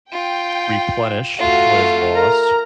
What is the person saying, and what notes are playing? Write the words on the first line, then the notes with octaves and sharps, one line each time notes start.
replenish what is lost,
F4 G5
A3 F4 F#4 F5
A#4 A#5